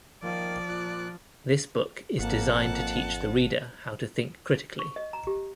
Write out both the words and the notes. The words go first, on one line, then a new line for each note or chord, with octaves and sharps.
This book is designed to teach the reader how to think critically.
D#3 F3 A#3 D5
A#2 F#6
G#1 F2 A#3 F#5 A5
C#6
D#5
A#5
G4